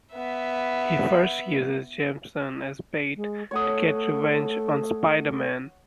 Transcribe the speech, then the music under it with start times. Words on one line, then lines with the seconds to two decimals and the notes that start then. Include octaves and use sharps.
He first uses Jameson as bait to get revenge on Spider-Man.
0.13 B3 E5
3.16 G#3
3.51 A3 C#5 F#5 D#6